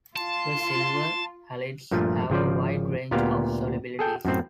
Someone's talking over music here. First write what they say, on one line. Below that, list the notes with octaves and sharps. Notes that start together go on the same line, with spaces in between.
The silver halides have a wide range of solubilities.
F4 A5 C6
G2 A#2 F3 A3
G#1 C#3 F3 C5 D5
D2 A#2 B3 G4 F5
G#4 A4 G5
F#2 A2 C4